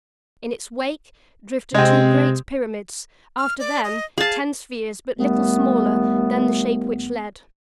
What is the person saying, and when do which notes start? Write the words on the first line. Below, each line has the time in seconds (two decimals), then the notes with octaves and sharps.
In its wake drifted two great pyramids; after them ten spheres but little smaller than the Shape which led.
1.74 C3 G#3 C4
3.38 F6
3.59 D5
3.84 D#5
4.18 G#4 F5 A5
5.18 D#2 G3 A3 B3